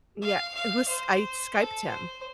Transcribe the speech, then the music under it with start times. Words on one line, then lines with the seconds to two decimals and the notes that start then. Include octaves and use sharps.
yeah, it was I Skyped him.
0.22 F5
0.55 F5
0.88 C5
1.55 A4
1.87 C5